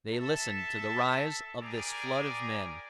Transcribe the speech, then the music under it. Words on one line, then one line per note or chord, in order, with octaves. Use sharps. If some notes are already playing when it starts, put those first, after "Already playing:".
They listened to the rise of this flood of men.
A4 E5 A5
G3 G#4 A#4 D5 G#5 A#5